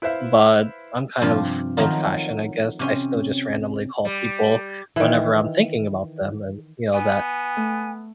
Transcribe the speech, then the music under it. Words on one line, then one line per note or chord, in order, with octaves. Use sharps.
but I'm kind of old-fashioned, I guess. I still just randomly call people whenever I'm thinking about them and, you know, that
E4 B4 C5 E5 F5
G2 C3 F3 F4
D#3 F3 F#3 A3 D#4 F4
C3 C#4 C6
G3
D#3 E3
B3 G#5
A3